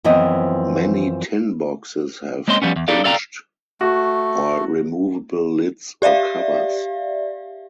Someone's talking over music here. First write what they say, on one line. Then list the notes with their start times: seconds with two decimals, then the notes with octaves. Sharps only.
Many "tin boxes" have hinged or removable lids or covers.
0.04 F#2 E3 F3 B3 C4 D#5
2.48 G#3 A#3 C4 C#4 D#5 C6
2.62 F3 G3 B3 C#4
2.76 E2
2.88 D#4 G4 A4 D5 F5
3.04 A4 D5 F5 G5 A#5
3.81 A3 F#4
6.02 G4 D5 E5 F5